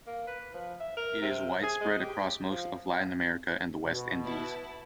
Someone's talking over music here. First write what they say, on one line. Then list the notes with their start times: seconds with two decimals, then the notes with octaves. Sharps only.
It is widespread across most of Latin America and the West Indies.
0.07 A#3
0.27 B4
0.54 F3
0.80 E5
0.97 A#4
1.22 C3
1.63 G#4
1.81 G#3
2.02 G4
2.50 F3
3.85 B2
4.23 B3 E4 A5